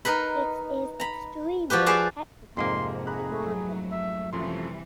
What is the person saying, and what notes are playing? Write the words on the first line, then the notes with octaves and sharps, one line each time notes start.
It is extremely technically demanding.
D#4 A#4 B4 B5
A#5 B5
F3 F#4 G4 B4
G#4 B4 C5 D5 F5 A5
F2 G#2 C3 A#3 C6
G#4 A#5 B5 F#6
F#3 A3
E5
F#2 C3 E3 F3 G3 A3 C6